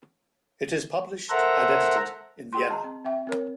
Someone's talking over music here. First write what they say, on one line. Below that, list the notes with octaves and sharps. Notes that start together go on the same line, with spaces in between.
It is published and edited in Vienna.
A4 A#4 C5 E5 F#5 A#5
G#4 G5 C6
D#5 A5 A#5
C4
C4 E5 G5
C4 A#4 C#5